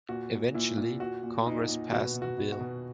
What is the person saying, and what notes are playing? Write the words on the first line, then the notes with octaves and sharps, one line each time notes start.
Eventually, Congress passed the bill.
A#2 F#4
A#2
A#2 E4
A#2
A#2 F#4
A#2
A#2 D#4
A#2
B2 F#4
B2
F#4
B2
F#4
B2